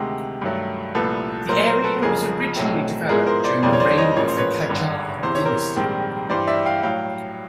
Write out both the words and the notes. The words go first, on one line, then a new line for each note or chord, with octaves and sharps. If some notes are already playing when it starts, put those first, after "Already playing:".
The area was originally developed during the reign of the Qajar Dynasty.
Already playing: D2 C3 D#3 G#3
G2 D#3 F#3 A3
C2 A#2 F3 A3 A4 B4
B1 A#2 F#3 A3 A#4 C5
A#4 C5
A4 B4
F1 F2 C#3 F3 G#4 A#4
B1 A2 F#3 A3 C4
G#2 F3 G#3 B3 E4 G#4 A#4
A#4 C5
C5 D5
F2 C#3 E3 G3 A#3 C5 D5
C#5
C5 D5
C#5 D#5
A1 G#2 F3 A#3 C#4 C#5
C5
B4 C#5
G#1 G2 D3 G3
E2 C3 E3 C5
C#5
A#4 C5
A#1 G#2 D#3 G3 C4
G2 E3 G3 C5 D5
D5 E5
F5 G5
A2 F#3 F5 G5